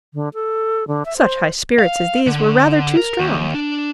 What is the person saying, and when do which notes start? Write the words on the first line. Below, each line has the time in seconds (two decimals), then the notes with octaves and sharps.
Such high spirits as these were rather too strong.
0.14 D3
0.34 A4
0.88 D3
1.05 E5
1.17 C5
1.79 F5
2.27 D3
2.97 A#4
3.19 D#2
3.54 D4